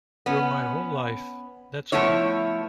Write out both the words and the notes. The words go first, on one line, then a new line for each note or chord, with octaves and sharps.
You're my whole life, that's all.
B3 C#4
F3 A3 B3 E4 C#5